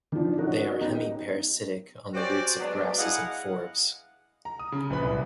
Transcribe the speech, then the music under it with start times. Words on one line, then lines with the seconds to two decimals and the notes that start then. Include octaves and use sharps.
They are hemiparasitic on the roots of grasses and forbs.
0.12 D#3 F3 D4
0.38 C#4 D#4 F#4 A#4
0.81 B3 D#4 G4
2.14 C4 C#4 F#4 G4 C5 D5
2.59 F#3 G#3 B3 D4
2.98 E4 G#4 D#5 F5 F#5
4.45 A#5
4.59 D#6
4.72 C#3
4.90 A#1 B4 B5
5.03 C2